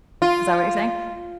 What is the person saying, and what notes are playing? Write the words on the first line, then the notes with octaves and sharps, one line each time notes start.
Is that what you're saying?
F4